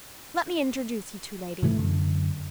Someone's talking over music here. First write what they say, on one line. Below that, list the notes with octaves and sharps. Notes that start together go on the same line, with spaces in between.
Let me introduce you two ladies.
G#2 C3 E3 A3
F#2 D3